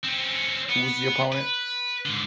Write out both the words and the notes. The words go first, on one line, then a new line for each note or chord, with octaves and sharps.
who was the opponent?
C4 C#4
B3
B4
G#2 D3